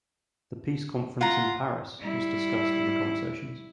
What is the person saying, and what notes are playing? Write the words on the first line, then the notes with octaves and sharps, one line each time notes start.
The Peace Conference in Paris was discussed in the conversations.
F4 F#5 A#5
G3 E4